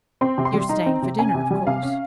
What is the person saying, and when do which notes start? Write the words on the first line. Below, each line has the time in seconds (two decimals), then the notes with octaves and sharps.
"You're staying for dinner, of course?"
0.21 C4 C6
0.38 C3
0.45 C6
0.53 G3
0.69 D#4 A#5
0.86 C4
1.02 C3
1.18 C#4 G#5
1.34 C3
1.51 G3
1.67 C3 F5
1.83 C#4